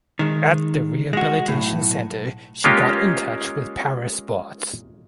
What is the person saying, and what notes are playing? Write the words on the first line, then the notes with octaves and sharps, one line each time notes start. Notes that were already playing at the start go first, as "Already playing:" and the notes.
At the rehabilitation center she got in touch with para sports.
D#3 G#3
G#3 F#4
B1 A2
G#3 A#3 C#4 F4 G4